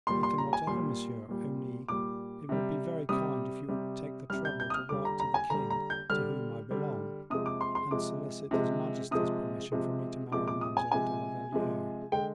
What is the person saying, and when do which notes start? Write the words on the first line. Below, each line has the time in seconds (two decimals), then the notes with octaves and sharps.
"Nothing whatever, monsieur, only it would be very kind if you would take the trouble to write to the king, to whom I belong, and solicit his majesty's permission for me to marry Mademoiselle de la Valliere."
0.07 A#2 G3 C6
0.23 C6
0.38 A#5
0.53 G#5
0.67 A#2 G3 C6
1.29 A#2 G3
1.88 A#2 G3 D6
2.49 C3 G3
3.09 C3 G3 D#6
3.68 C3 G3
4.30 C3 G3 F6
4.45 G6
4.60 G6
4.70 D#6
4.74 F6
4.89 D3 G3 D6
5.05 A#5
5.20 A#5
5.34 G#5
5.50 D3 G3 A#5
5.70 A#5
5.90 G6
6.10 D3 G3 F6
6.71 D3 G3
7.30 C3 F3 G#3 D#6
7.46 D6
7.61 C6
7.75 C6
7.91 C3 F3 G#3 D6
8.51 C3 F3 G#3
9.11 C3 F3 G#3 D#6
9.72 C3 F3 G#3
10.31 C3 F3 G#3 D6
10.48 D6
10.61 D#6
10.77 G#5
10.92 C3 F3 G#3 G#5
11.52 C3 F3 G#3
12.12 D3 G#3 G5